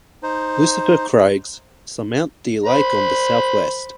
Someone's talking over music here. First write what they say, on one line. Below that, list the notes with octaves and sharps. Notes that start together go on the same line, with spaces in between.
Lucifer Crags surmount the lake on the southwest.
D#4 C5
C5 B5